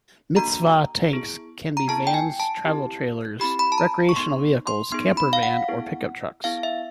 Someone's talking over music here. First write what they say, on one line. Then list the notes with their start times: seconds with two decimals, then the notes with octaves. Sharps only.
Mitzvah tanks can be vans, travel trailers, recreational vehicles, campervan or pickup trucks.
0.36 A#3 D4 F#4 A4 A#5
1.13 B3 E4 G#4
1.77 A#5
1.88 B3 E4 G#4 A5
2.07 G5
2.14 G#5
2.40 A5
2.64 C4 E4 G4
3.40 C4 E4 G4 B5
3.59 B5
3.72 A5
3.78 A#5
4.09 C#6
4.16 B3 D#4 G#4 C6
4.67 C6
4.92 B3 D#4 G#4 C6
5.17 B5
5.33 F5
5.43 F#5
5.68 B3 E4 G#4
6.44 B3 E4 G#4 F5
6.63 E5